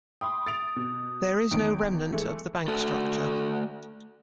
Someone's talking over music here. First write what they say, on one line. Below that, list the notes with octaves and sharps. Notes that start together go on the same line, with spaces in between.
There is no remnant of the bank structure.
G5 B5 C6 D#6
A6 D7 F7
B2
E2 D#3 D7
E3 G#3 A3
A3 F#4 A4